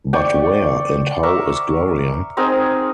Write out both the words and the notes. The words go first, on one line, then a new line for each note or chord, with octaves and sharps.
But where and how is Gloria?
D5 G5 C#6
A#4 E5 C#6 D6
C4 D#4 G#4 A#4